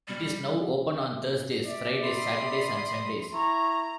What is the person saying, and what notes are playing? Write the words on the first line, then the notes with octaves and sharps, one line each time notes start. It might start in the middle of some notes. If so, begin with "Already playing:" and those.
It is now open on Thursdays, Fridays, Saturdays and Sundays.
G3
D5 E5
B5 C6 D#6 C7
E4 A#5 C#6